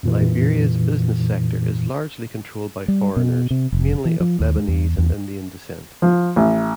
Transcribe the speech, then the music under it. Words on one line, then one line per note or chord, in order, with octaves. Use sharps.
Liberia's business sector is largely controlled by foreigners mainly of Lebanese and Indian descent.
F2 A#2 E3
G3
B2
C3
F1
E3
F3
D#2
G#3
E2
E2
F3
A1